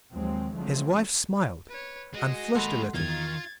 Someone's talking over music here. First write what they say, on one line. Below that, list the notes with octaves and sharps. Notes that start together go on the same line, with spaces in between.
His wife smiled, and flushed a little.
D#2 F3 F#3 G#3 C4
D3 F3 F#3 G#3 A3 C4
B4 C#5
G#3 F#4 D#5
G#3 A#3 A4 F#5 G#5 B5 C6
E2 D#3 F4 G#6 A6